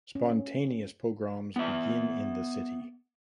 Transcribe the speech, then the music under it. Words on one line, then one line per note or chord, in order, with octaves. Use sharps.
Spontaneous pogroms begin in the city.
C#4
B3 E5